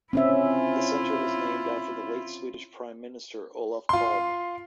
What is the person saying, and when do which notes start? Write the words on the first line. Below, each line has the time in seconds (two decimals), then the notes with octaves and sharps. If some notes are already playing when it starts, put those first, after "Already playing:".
The center is named after the late Swedish Prime Minister Olof Palme.
0.13 C4 C#4 E4 F4 E5
3.89 F4 C6